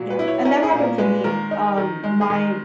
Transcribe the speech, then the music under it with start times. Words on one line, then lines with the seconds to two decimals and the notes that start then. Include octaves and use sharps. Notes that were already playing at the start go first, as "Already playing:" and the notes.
Yeah. And that happened to me, um, my
Already playing: A#2 F#3
0.10 B4
0.19 E4
0.28 C#5
0.45 C#4 A#4
0.63 G#4
0.71 A#2
0.80 A#4
0.98 G#3 B4
1.24 D#3 A#4
1.51 D#4
1.78 D#3
2.04 G#3
2.21 G#4
2.30 D#3
2.39 A#4